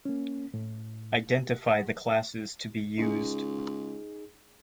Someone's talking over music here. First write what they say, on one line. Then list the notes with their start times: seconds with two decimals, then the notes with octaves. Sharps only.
Identify the classes to be used.
0.05 A#3 C#4
0.54 A2
2.98 C#2 D#4 G#4